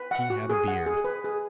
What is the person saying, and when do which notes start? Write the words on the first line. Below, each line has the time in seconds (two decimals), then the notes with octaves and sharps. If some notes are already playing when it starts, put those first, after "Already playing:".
She had a beard.
Already playing: B4
0.11 F#5
0.30 F#4
0.50 G#4
0.68 F#5
0.86 G#4
1.04 B4
1.24 G#4